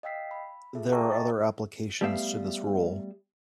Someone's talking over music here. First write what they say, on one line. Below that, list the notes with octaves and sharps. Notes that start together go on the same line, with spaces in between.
There are other applications to this rule.
D#5 F5 G5 E6 B6 C7
B5
F4 G#4 A4 E5
E5 G5 A5 A#5 C#6 D6
D#5 A6
G3 A3 B3 G4 E5 F5